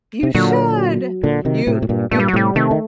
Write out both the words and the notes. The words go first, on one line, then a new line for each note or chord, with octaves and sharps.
you should! you you
C3
A#2 D3 F#3
A#2 D3
C3 D#3
A2 C3
A2
G2 A#2
G2 A#2 A3
G3
F#3
A2 C3 G3
C3 D#3 A3
D#3